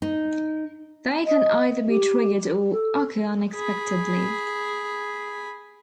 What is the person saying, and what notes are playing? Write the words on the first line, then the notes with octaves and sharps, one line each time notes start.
They can either be triggered or occur unexpectedly.
D#4
D#5
G4
A4
G#4 B5